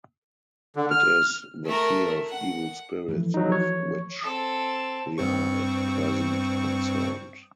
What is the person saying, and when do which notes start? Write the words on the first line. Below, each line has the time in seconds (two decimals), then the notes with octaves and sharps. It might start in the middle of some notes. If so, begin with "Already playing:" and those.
It is the fear of evil spirits with which we are at present concerned.
0.76 D3
0.91 F6
1.65 A3 A#4
2.29 F#5
3.08 E3 F3 A3
3.34 F#3 D#4
3.52 C#5
4.23 C4 A4
5.18 G2 C4 C#6